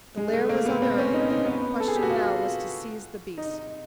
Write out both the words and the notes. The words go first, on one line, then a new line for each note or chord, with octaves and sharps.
The lair was unearthed, the question now was to seize the beast.
G#3
A3
A#3
B3
C4
C#4
D#4
D#4
B3
A4
G#4
G4
F#4
F4
D#4